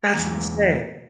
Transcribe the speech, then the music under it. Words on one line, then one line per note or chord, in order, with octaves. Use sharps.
That's insane.
E2 E3 G#3 A#3 G#4 A#5